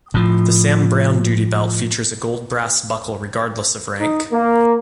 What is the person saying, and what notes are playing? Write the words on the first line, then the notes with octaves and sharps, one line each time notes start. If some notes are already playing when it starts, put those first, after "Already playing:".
The Sam Browne duty belt features a gold brass buckle regardless of rank.
A2 F3
D#4
A#3